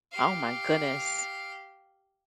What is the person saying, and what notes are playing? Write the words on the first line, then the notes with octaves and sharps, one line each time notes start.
Oh my goodness.
G4 F5